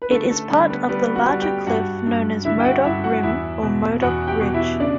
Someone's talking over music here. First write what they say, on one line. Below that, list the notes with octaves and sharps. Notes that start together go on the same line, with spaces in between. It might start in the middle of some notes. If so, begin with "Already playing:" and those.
It is part of the larger cliff known as Modoc Rim or Modoc Ridge.
B4
D3 A3 A4
A3 A4
D3 G3 G4
B3 B4
G3 B3 B4
F#4 F#5
G3
G4 G5
G2 F#4 F#5
G2
D3 E4 E5
G5
F#4 F#5
G2 E4 E5
F#4 F#5
E2 E4 E5
B2
E2 F#4 F#5
G4 G5
B2
E4 E5
C#3 D4 D5